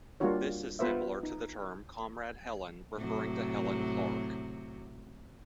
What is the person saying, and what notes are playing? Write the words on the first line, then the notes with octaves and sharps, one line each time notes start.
This is similar to the term "Comrade Helen", referring to Helen Clark.
G3 A#3 D4 F4 F#4 C#5
B3 F4 B4 C5 E5
D#4
A2 C3 F#3